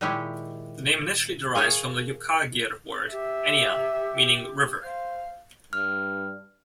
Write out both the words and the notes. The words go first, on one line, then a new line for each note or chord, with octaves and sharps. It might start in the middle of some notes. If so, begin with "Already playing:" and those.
The name initially derives from the Yukaghir word "any-an" meaning "river".
A#2 D#3 G#3 E4 G4 C#5
G#4 A#4 C#5 F5 G#5
G4 E5
C5 F5
G2 F6